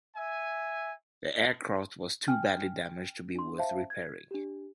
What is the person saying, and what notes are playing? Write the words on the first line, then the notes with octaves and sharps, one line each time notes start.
The aircraft was too badly damaged to be worth repairing.
E5 G#5
G5 G#5 F6
D4 C6
C5 E5 F5 A5
G#6
D4 G4